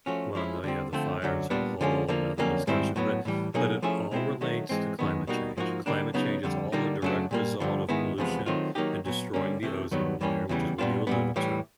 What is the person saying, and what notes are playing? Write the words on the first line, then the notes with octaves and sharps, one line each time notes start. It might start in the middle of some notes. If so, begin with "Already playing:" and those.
Well, no, yeah, the fires are whole 'nother discussion, but but it all relates to climate change, climate change is all a direct result of pollution and destroying the ozone layer- which is what you alluded to-
F3 A3 C#4 F#4
F3 G#3 C#4 E4
D3 G3 C4
D3 F3 A3 C4
F#2 D3 F#3
A#2 G3 B3 D4
D3 F3 G#3 C#4
D3 F3 A#3
F2 D3 F#3 A#3 C#4
G#2 D#3 G3 C4 E4
A2 F#3 B3
A2 E3 G3
B2 F#3 A#3 D#4 G#4
F3 A3 C#4 E4 G#4
B2 G#3 C4 E4
D#3 F#3 A3
G#2 E3 G#3 C4
F#2 D#3 G#3 B3
B2 G3 A#3 D#4 F#4
G#2 F3 A#3 D#4 F#4
D3 G3 A#3 D4
C#3 F#3 B3 D#4
F2 D3 G3
D3 G3 A#3 D#4
F#2 C#3 F#3 A3 D4
A#2 G3 A#3
G2 D3 F3
G#2 D#3 G#3 B3 E4
E2 C3 F3 G#3 B3
D#3 F#3 A3 C4 F4
D#3 F#3 A#3 D#4 G4
A#2 F#3 B3
G2 D3 G3 A#3 C#4
C3 E3 A3
G2 D#3 F#3 B3
G2 E3 G3 A#3 C#4
E2 C#3 E3 G3
A#2 G3 B3 D4 F4
A#2 G3 B3
A2 E3 G3